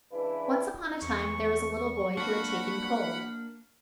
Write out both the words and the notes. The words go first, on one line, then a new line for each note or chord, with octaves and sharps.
Once upon a time there was a little boy who had taken cold.
C#2 E3 D4 E4 B4
E2 C#6
A#3 D4 F#4 F#5 B5